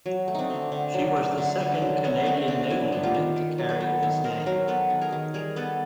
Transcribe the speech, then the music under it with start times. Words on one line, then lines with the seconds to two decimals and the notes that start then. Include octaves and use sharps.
She was the second Canadian naval unit to carry this name.
0.06 F#3
0.28 A3
0.35 C4 D4 D#4
0.50 D3
0.72 D3
0.94 F#3
1.16 A3
1.38 D3
1.60 D3
1.82 F#3
2.04 A3 B3 C#4
2.26 D3 C4
2.48 D3 C4 D4
2.70 F#3 D4 E4
2.92 B3
3.03 F4 G4
3.14 D#3
3.36 D#3
3.58 F#3
3.69 A4 B4
3.80 B3
4.03 D#3
4.24 D#3 A#4 C5
4.46 F#3 A#4 C5
4.68 B3 A4 B4
4.90 D#3
5.01 G#4 A#4
5.12 D#3
5.34 G3 G#4 A#4
5.56 B3 A4 B4